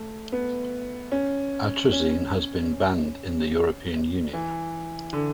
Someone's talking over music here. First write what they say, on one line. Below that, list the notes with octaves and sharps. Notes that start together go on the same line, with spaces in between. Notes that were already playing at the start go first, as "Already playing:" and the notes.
Atrazine has been banned in the European Union.
Already playing: A3
B3
C#4
C#4
C#4
E3
D3